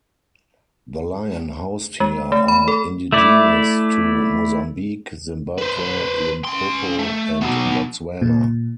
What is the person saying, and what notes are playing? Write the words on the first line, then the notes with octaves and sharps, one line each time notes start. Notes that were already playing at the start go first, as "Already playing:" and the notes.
The lion housed here are indigenous to Mozambique, Zimbabwe, Limpopo, and Botswana.
G#3
A3
B5
A4
A3 E4 D5
B4 C5
C#4 C6
A3
B2 F#3
A#2